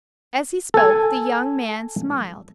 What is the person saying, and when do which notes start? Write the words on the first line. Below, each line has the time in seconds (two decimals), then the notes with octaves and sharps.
As he spoke the young man smiled.
0.74 A4 G#5